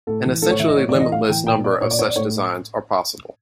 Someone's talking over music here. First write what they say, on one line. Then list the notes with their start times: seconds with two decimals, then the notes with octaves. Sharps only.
An essentially limitless number of such designs are possible.
0.07 A2 A4
0.25 E3
0.42 A2 A4
0.51 C#5
0.59 E3 E5
0.68 D#5
0.77 A2 C#5
0.89 D5
0.94 E3
1.00 D#5
1.11 A2 F5
1.29 E3 G5
1.47 A#2 G5
1.64 D5
1.81 A#2 C#5
1.91 D5
1.99 C#5
2.08 D5
2.16 A2 C#5